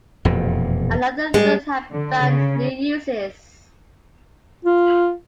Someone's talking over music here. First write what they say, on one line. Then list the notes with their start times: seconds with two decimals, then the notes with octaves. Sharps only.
Another third have found new uses.
0.25 E1 F2 A#2
1.34 G3 G#3
1.91 D3
2.21 C#3
4.65 F4